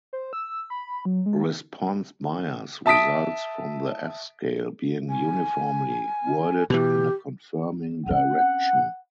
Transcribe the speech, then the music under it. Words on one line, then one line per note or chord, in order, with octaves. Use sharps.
Response bias results from the F scale being uniformly worded in a confirming direction.
C5
E6
B5
F#3
G#3
E5 A5 D#6 B6 D7
G#5
B2 E3 G4
C4 C#4 F#5